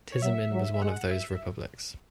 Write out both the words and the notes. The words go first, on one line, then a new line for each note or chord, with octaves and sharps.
Tizimin was one of those republics.
C#5
F#3 E5
F#3
E5
G#3 F#5
E5